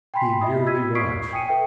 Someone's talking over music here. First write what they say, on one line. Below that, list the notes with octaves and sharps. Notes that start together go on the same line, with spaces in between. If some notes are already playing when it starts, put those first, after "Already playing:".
He merely watched.
G5 G#5 B5 C6 B6 C7
E4 D#5 E5 B5 D#6
E6 G#6 B6 D#7
C#6 D#6 F6 B6 C7 D7
G5 G#5 D#6 C7 C#7 D#7
A4 B4 E5 G5